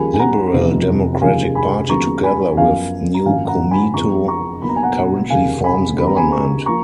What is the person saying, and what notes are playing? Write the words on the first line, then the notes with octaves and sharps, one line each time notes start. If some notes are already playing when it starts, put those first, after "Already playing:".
Liberal Democratic Party together with New Komeito currently forms government.
Already playing: D#2 C#3 F3 G#3 G#5 B5
G#5
F#5 A#5
F1 F2 F3 B3
F1 D#2 C#3 F3 G#3 F5 G#5
G#5 B5
D#2 C#3 F#3 B3 A#5 C#6
G#5 B5
F#2 F3 B3 F5 G#5
A#5
G#1 F#2 F3 A#3 F5 G#5
F#5 A#5
G#5 B5
F2 F3 G#3 B3 A#5 C#6
A#5 C#6
B1 B2 A#3 B5
A#5
G#5
F#5 A#5
F1 D#2 C#3 F5 G#5
G#5 B5
D#2 C#3 G#3 B3 B5
A#5
G#5 B5
A#5 C#6
F3 A#3 A#5 C#6